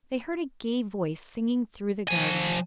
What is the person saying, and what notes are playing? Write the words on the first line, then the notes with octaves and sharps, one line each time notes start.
They heard a gay voice singing through the garden.
F3 G#5